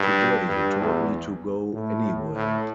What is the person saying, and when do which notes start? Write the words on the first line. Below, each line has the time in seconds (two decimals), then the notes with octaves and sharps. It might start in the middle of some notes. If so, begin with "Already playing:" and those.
Today you told me to go anywhere.
Already playing: G2
0.48 G2
0.80 E2
1.73 A2
2.35 A2